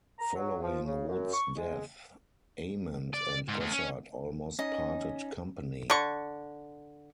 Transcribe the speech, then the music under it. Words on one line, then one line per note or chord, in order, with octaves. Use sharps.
Following Wood's death, Ament and Gossard almost parted company.
A#5
F#3
F3
C#3
F#2
C#6
G#3
D5
G#2
D2
C#4
C#4 D#4 D#5
D3 C#6